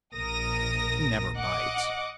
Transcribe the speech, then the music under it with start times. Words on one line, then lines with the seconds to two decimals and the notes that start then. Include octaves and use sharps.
"He never bites."
0.16 A#1 A#4 D#6 A#6
1.35 D#5 F#5 D6